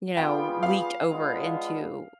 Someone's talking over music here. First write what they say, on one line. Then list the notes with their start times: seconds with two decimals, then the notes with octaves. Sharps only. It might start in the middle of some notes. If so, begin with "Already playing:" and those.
you know, leaked over into,
0.17 G3 B3 F4 G#4 G5
0.63 F5
1.08 G#3 B3 D4 F4